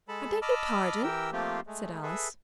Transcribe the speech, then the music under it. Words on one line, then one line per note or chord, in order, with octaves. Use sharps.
'I beg your pardon?' said Alice.
G#3 A4 A5 B5
D#5 A5 B5 D6 E6 F6
E3 G4 A#4 G5 E6
F3 A3 A#3 C4 F4 G4
G#3 A3
G#4 A4 B4 E5